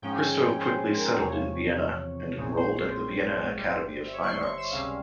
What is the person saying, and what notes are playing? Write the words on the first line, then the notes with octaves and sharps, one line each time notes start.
Christo quickly settled in Vienna and enrolled at the Vienna Academy of Fine Arts.
G#2 F3 G#3 C#4 G5
G#5
G5
G5
C5
A#4
C5
E2 C3 F3 C#5
A#1 A#2 G#3 C4 C#5
C5
C5
G1 G2 G3
E5
C#5
C#6
C6
C#6
E6
C#2 C3 G3 C#4 F5